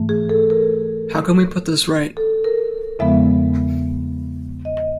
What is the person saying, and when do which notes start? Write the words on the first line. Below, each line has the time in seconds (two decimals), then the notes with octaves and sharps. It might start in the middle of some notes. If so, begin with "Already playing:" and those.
How can we put this right?
Already playing: G#2 E3 A3
0.09 G#4
0.29 A4
0.50 A#4
2.17 A4
2.44 A#4
2.99 E2 C#3 F3 G#3 B3 E5
4.65 D#5